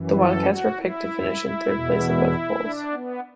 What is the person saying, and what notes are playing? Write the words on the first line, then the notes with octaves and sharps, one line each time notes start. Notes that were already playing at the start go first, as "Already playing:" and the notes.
The Wildcats were picked to finish in third place in both polls.
Already playing: F#2 E3
A4
F#4
E4
E2 B2
D4
B3